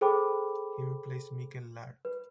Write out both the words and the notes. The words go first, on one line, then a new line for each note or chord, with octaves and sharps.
He replaced Mihkel Laar.
G#4 A4 C5 G5 B5 D6
B4